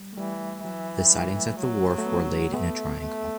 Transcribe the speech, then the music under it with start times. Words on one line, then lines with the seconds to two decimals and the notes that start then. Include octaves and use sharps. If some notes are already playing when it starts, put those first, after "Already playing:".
The sidings at the wharf were laid in a triangle.
Already playing: G3
0.13 A3
0.17 E3 G3
0.65 E3 F#3
1.12 G3
1.35 A3
1.60 F#3
1.98 A3
2.06 B3
2.54 A3 B3
3.00 A3